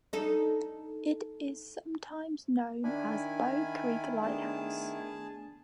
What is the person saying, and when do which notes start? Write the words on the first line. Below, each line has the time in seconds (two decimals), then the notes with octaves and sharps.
It is sometimes known as Bow Creek Lighthouse.
0.13 D#4 A4
2.84 D#3 D4 E4 G#5 B5
4.22 A3 B3 D4 G#4 A5